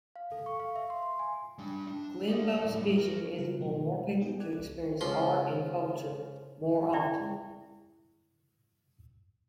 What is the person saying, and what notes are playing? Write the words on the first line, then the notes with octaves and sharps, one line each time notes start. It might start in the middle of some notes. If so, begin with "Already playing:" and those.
Glenbow's vision is for more people to experience art and culture more often.
F5
A4
C#6
F5
E5
C6
C6
G#5
G3 D4
D4
D5 E5
F#2 A2
F#2 A#4
C#3 F#3 G3 F4 F#4 A#4
B2 F3 F#3 A3
G3 G#3 B3 D#4 G4
A4 D5 D6 F#6 G#6
C2 E3
C#2 F3 C6
E4 D5 E5 G5 C#6